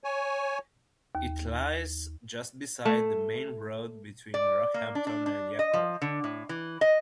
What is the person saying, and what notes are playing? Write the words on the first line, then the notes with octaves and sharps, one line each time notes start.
It lies just beside the main road between Rockhampton and Yeppoon.
C#5 G#5
D#2
A3
D5
A#3
D4
D4
D4
D#5
F3
D3
A2
E3
D#5